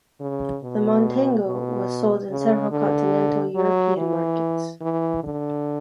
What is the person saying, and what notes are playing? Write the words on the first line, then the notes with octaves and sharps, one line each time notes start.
The Montego was sold in several continental European markets.
C#3
B2
B2
C#3
D3
F#3
E3
E3
D3